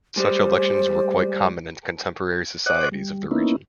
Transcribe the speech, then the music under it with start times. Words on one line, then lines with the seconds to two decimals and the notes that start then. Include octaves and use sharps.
Such elections were quite common in contemporary societies of the region.
0.17 G3 G#3 C5
2.66 C5 C#5 D#5 F#5 D6 F#6
2.92 G3
3.31 A#3 B3 C#4 D#4 E4